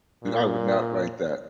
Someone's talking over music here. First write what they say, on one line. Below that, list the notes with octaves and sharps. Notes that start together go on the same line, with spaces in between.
I I would not write that.
A#2